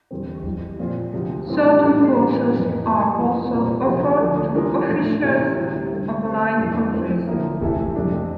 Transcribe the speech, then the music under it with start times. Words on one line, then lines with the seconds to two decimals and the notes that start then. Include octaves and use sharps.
Certain courses are also offered to officers of allied countries.
0.11 E2 D3 G3 C4
0.45 F2 E3 G3
0.79 A#2 F3 C4 F4
1.13 D2 C3 F3
1.47 A2 E3 G3 C4
1.82 A2 G3 D4 A4
2.15 A2 E3 G3
2.50 F2 E3 A3 C4
2.84 C3 G3 A#3 E4 G4
3.18 F2 E3 A#3 F4
3.52 C2 A#2 G3 C4 F4
3.85 D2 C3 F3 A#3 E4
4.20 D2 D3 F3 A3
4.54 E3 G3 D4 F4 A#4
4.88 A2 F3 A3
5.22 C3 E3 A#3 E4 A#4
5.56 D2 C3 G3 C4 E4
5.91 G2 D3 A3
6.25 D3 A3 C4 G4 A#4
6.59 F2 C3 E3 A3 D4
6.93 E3 A3 C4 F4
7.27 D2 D3 F3 A#3 E4
7.61 C3 E3 A3 E4 A4
7.96 F2 C3 E3 A3 D4